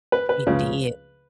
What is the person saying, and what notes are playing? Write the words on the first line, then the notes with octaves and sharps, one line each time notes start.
It did.
B4
B4
C#2 C#3 F3